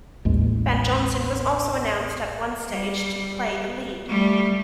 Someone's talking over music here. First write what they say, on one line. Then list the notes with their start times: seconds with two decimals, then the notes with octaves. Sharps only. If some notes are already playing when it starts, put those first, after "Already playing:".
Van Johnson was also announced at one stage to play the lead.
0.25 A1 D#2 G#3
2.68 G3
4.08 G3 A3